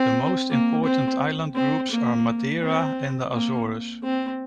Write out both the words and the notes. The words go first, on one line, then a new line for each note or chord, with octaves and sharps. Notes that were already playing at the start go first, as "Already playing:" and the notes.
The most important island groups are Madeira and the Azores.
Already playing: C4
A#3
C4
C4
A#3
C4
A#3
C4